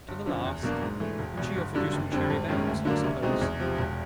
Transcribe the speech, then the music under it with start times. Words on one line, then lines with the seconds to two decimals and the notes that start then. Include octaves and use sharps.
"To the last! and she offered you some cherry-bounce, I suppose."
0.08 G1
0.26 F#2 D3 F3
0.45 E2
0.63 B2 F#3 A#3 D4
0.82 G#2
1.00 E3 A3
1.19 E1
1.37 E2 B2
1.55 G1
1.75 G2 D3 F#3
1.93 F#1
2.11 F2 D3 G3 C4
2.30 G#1
2.49 F#2 D#3 G#3 C#4
2.67 D2
2.85 D3 F#3 A#3 D4
3.04 C2
3.22 B2 G#3 C4 D#4
3.41 E2
3.60 C3 F3
3.78 E1